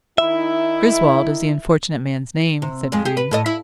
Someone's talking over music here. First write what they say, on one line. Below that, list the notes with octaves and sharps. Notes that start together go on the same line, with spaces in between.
"Griswold is the unfortunate man's name," said Green.
D#3 D#4 E4 E5
C3
F2 G#3
G4 G#4
B4
A2 A4 D#5
E4